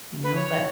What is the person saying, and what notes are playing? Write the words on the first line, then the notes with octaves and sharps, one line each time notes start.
You know, but
B4
C#5